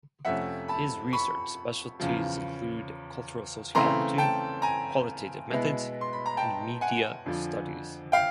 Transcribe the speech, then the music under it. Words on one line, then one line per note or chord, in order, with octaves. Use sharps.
His research specialties include cultural sociology, qualitative methods and media studies.
F2 C3 F3 A3 C#4 E5 F#5
A5 B5
B5 C#6
E2 C#3 F3
C#3 E3 A3 C4 A#5 C6
G5 A5
G#5 A#5
B2 G#3 B3 E4
C6
B5
A#5
G5 A5
F#5 G#5
F2 D3 F3
F5 G5